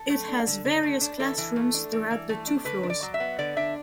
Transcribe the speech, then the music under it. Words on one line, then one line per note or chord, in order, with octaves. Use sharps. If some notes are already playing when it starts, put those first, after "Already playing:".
It has various classrooms throughout the two floors.
Already playing: A4
A3
D4
D3
D3
A3
D4
E3 A4
E3
A3
D4
E3
E3
A3
D4
D3 B4
D4
D5
F#3
E5
B3
D3 D5
D4 E5